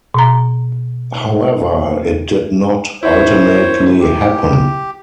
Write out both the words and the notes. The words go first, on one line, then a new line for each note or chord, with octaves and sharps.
However it did not ultimately happen.
B2 A#5
E4 C5 C#5 E5
G4